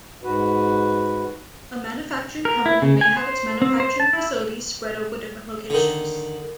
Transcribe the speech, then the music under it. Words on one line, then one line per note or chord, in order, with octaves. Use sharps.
A manufacturing company may have its manufacturing facilities spread over different locations.
G#2 F#4 B4
A#4
E4
C#3
G#5
C5
C4
C5
A5
E4
D3 D#3